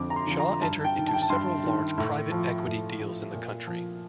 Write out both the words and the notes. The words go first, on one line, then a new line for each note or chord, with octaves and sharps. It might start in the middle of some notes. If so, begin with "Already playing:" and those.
Shaw entered into several large private equity deals in the country.
Already playing: F2 D3 F3 D6
A#5
C6
D3 F3
A#5
G2 A5
G5
D#3
A5
G5
A5
G2 C6
D#3
A2
F3
A2
F3
A#2
F3